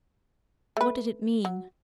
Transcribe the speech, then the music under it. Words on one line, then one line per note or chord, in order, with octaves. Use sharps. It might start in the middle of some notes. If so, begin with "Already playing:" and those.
What did it mean?
A3 B4
F#3